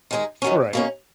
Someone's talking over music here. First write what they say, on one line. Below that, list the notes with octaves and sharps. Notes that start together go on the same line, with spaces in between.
All right.
D#3 G#3 D#4 G#4
F#2 D#3 F#3 C#4
B2 A#3 C#4